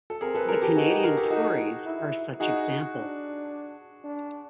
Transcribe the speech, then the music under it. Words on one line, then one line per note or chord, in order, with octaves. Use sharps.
The Canadian Tories are such example.
A4
C4 G#4 A#4
A4 B4
G#4 A#4
G4 A4
D#4 F#4 G#4
G4 A4
G#4 A#4
G4 A4
D#4 F#4 G#4
E4
D#4 F#4 G#4
D4
D4